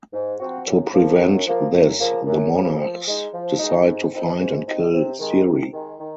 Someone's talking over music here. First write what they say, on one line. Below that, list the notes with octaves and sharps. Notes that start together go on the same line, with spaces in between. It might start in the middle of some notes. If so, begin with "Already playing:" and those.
To prevent this, the monarchs decide to find and kill Ciri.
G#2
F3 C4 F#4
F#2
F3 A#3
F#2
F3 A#3
F#2
C#3 F3 A#3
F#2
C#3 F3 A#3
F3
G#3 D#4
F3
G#3 D#4
G#2
F3 C4 D#4
G#2
F3 C4 D#4
C3
D#3 G#3
C3
D#3 G#3
D#3